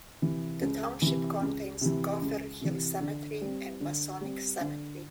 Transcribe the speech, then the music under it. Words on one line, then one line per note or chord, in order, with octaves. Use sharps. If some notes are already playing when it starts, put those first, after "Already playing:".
The township contains Gopher Hill Cemetery and Masonic Cemetery.
C3 E3
C#2
C3 E3
C#2
C3 E3
C#2
C3 E3
D3
G3 C4
D3
G3 C4
D3